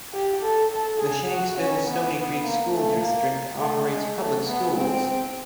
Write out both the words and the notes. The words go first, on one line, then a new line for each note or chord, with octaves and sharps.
The Shanksville-Stonycreek School District operates public schools.
G4
A4
A4
G#4
F#4
C#4
B3
B3
A#3
A3
A#3
A3
G#3
A3
B3
C4